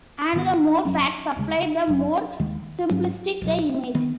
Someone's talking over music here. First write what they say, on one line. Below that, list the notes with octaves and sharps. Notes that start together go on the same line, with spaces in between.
And the more facts supplied, the more simplistic the image.
G#2 D#3 B3
G#1 F#2 F#3 C#4
D#2 C#3 G#3
F#1 F#2 F#3
D#2 D#3 G#3
G#2 F#3 C#4
B1 B2 F#3
D#3 B3